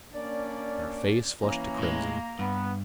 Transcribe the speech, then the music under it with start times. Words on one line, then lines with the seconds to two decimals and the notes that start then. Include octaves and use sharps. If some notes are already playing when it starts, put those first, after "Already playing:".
Her face flushed to crimson.
0.13 A#3 C#4 D4 D5
1.42 E3 A#3 C#4 A#5
1.79 A2 G#3
2.39 G2 B3